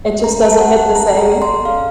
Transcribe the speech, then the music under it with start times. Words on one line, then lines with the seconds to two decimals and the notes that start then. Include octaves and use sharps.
It just doesn't hit the same,
0.24 C#4 A4 A#5
0.42 A5
0.60 F#5
0.77 A5
0.95 C#4 A4 A#5
1.19 A#5
1.42 C6
1.65 C#4 A4 F5